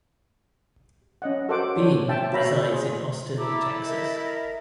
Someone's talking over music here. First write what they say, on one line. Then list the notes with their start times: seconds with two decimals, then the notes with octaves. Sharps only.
Beem resides in Austin, Texas.
1.22 C#4 D#5 F#5
1.49 F#4 A4 A#4 C5 F#5 D6
1.76 D4 C5 C#5
2.08 C5 E5 G5 A5
2.33 F#4 C#5 E5 F5 A#5 B5
2.69 F4 G#4 C5
3.38 E4 A4 E5 A#5 D6
3.85 A#4 D#5 E5